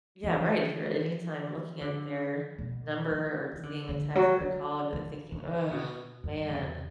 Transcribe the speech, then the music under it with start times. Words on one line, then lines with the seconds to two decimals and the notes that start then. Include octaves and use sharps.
Yeah, right, if you're at any time looking at their number or seeing a text or a call and and thinking, "Ugh, man,"
0.24 E3
1.81 D3
2.58 B2
3.11 E3
3.53 E3
3.63 D3
3.89 D3
4.15 F#3
4.41 F#3
4.93 C#3
5.32 C#3
5.71 B2
6.24 G2
6.50 E2